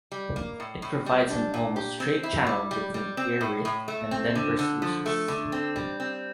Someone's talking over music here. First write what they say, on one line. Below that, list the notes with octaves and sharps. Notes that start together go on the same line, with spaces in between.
It provides an almost straight channel between Earith and Denver Sluices.
G3
A#3
A2
A2
G3
D4
A#2
G4
C4
E4
G3
G3
G3
C4
A2
A2
A3
C4
D3
D3
F3
A3
D3
C4
G3
C4